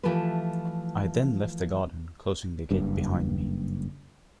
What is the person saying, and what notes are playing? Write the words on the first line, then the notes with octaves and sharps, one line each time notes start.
I then left the garden, closing the gate behind me.
E3 F3 A3 G4 A4 B4
F#1 G2